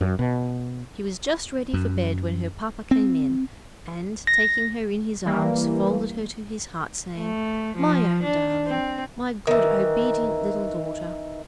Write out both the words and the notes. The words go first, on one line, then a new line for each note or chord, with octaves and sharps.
She was just ready for bed when her papa came in, and, taking her in his arms, folded her to his heart, saying, "My own darling! my good, obedient little daughter!"
F#2
B2
F#2
C4
A#6
E3 G3 A#3
A3
F3
D4
C4
D#3 E3